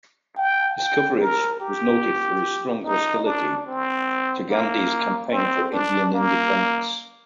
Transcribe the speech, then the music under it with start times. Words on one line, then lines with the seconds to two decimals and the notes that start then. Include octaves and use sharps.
His coverage was noted for his strong hostility to Gandhi's campaign for Indian Independence.
0.37 G5
0.78 G5
1.19 A#4
1.60 G4
2.84 D#4
3.25 D4
3.66 C4
4.49 A#3
5.31 C4
5.72 D4
6.13 A#3